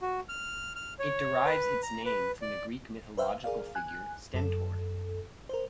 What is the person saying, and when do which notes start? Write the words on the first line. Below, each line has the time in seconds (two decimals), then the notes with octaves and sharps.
It derives its name from the Greek mythological figure Stentor.
0.01 F#4
0.29 F6
0.76 F6
0.99 C#5
1.46 B4
1.83 A#5
2.06 B4
2.42 D5
3.17 B4 C5 E5 F5 G5
3.44 G#4 A#4 D5 F5
3.75 G#5 F#6
4.34 F#2 A4
5.49 A#4 C5